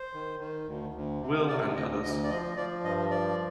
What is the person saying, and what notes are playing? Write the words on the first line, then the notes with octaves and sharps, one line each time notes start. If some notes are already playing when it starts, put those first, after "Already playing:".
Will and others.
Already playing: C5
D#3
D#3
D2
D2
C3
C3 D5
D2 D#5
D2 D#5
D5
F3 D#5
F3 D5
G2 D#5
F3 D5